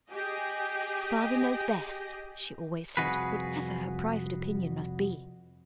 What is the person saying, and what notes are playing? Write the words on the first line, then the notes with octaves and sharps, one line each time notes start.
'Father knows best,' she always said, whatever her private opinion must be.
G4 G#4 D#5
C2 F2 C3 F#4 G#4 B4